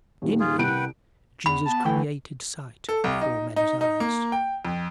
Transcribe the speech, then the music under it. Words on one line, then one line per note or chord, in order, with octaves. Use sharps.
In him Jesus created sight before men's eyes.
D#1 D#3
F4 G#4
C2 B4 F#5 G5 D7
E2 B5
B3 A5
D3 E3 A3 E4 G5
A4
C2
D#4
D#4
D#4
A#3
G5
F2